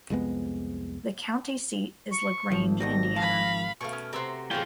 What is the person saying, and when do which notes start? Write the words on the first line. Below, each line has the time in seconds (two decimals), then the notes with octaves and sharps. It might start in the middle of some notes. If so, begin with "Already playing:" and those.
The county seat is LaGrange, Indiana.
0.10 C2 F2 G#3 B3
2.11 C#6
2.51 G#1 F3
2.80 B2 D#3 G3 A#6
3.16 F3 F5 A5 B5
3.81 B2 A3 F5 G#5 C#6
3.92 C#4 F6
4.13 C3 C5 E5 F#5 A#5
4.51 A2 F#3 G#3 F4 G5